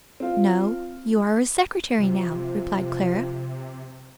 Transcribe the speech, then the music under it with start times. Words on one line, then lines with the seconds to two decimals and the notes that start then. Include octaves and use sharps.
"No, you are a secretary now," replied Clara.
0.20 C4 F4
1.98 C3 F3